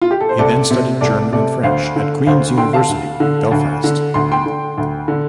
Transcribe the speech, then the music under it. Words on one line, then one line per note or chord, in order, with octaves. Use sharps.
He then studied German and French at Queen's University, Belfast.
F4
G4
A4
C5
C2 A4 D5
C3
C2 A4 D5
C3 A4 D5
D2 C5 F5
D3
D2 C5 F5
D3 G5 C6
F5 A5
D2
D3
D2
D3
D2 C6
G5 C6
D3
D2
D3